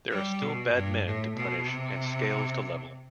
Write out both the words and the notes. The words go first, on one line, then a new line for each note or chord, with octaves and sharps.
There are still bad men to punish and scales to level.
G3
B2
G2
A2
B2
C3